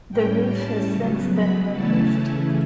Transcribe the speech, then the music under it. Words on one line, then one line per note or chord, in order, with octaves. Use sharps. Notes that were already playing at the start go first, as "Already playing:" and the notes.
The roof has since been removed.
A2 G3 C#4 G5
A5
C#3 F#3 B3
B5
C#3 E3 A3 C#4 E4 A5